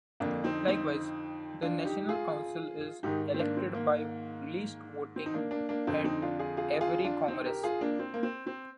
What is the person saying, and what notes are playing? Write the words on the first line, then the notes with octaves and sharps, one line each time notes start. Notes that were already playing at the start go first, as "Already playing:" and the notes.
Likewise, the national council is elected by list voting at every congress.
F2 D3 A#3 D4
C4 D#4
C4 D#4
D4 F4
D#4 G4
F4 G#4
G#2 D#3 D#4 G4
C4
A#3 D4
C4
A#3
C4
D#4
A#3 D4
A#3 D4
A#3 D4
F2 D3 C4
C4 D#4
D4 F4
F4 G#4
F4 G#4
F4 G#4
D4 F4
C4 D#4
G4 A#4
F4 G#4
A#3 D4
C4
A#3
C4
C4